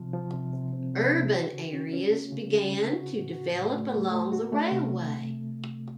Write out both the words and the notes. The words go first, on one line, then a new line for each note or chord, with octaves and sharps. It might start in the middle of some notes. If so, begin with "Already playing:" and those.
Urban areas began to develop along the railway.
Already playing: C3 F3
F3
C3
C3
C4
C3
C3
F#4
C#3
C#4
C#4
A3
C#3
C#3
C#3
F#4
A2
F#4
A2
A3
A3
A3
F#4
A3
C3